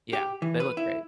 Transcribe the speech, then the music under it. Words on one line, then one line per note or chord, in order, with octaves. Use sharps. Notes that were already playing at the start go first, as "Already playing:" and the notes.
Yeah, they look great.
G4
E3
B4
E4